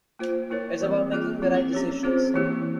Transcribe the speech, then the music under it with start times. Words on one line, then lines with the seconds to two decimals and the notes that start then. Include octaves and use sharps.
It's about making the right decisions.
0.19 A#3 F4 C5
0.50 A#3 E4 A#4 C#5
0.81 E3 G3 C4
1.12 A#3 F4 G#4
1.42 F3 C4 F4 G#4
1.73 C#4 G4 C#5
2.03 C4 F4 G#4 C5
2.34 E3 A#3 E4 G4